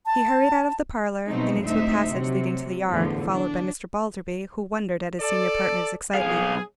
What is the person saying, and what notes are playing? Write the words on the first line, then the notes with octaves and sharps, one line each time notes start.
He hurried out of the parlour, and into a passage leading to the yard, followed by Mr. Balderby, who wondered at his senior partner's excitement.
A5
B2 F#3 G3 A3 C4 D#4
D2 A2 C4 D#4 E5
C3 F#3
E2 A2 D3 E3 F3
D4
A4 D5
B1 G#4 F5